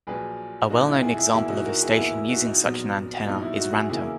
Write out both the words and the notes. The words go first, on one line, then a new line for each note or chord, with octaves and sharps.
A well known-example of a station using such an antenna is Rantum.
A#1 A#2 F#3 G#4 B4
A#1 A#2 F#3 D#4 F#4
E4
E4 G#4
E4 G#4
E2 B2 A#3 E4 G#4
D#4 F#4
F#4 A#4
E4 G#4
E2 B2 A#3 E4
E4
D#4 F#4
D#4
A#1 A#2 F#3 B3
A#1 A#2 F#3 B3 D#4
E4
D#4 F#4
E4 G#4
E2 C#3 E3 A#3 E4 G#4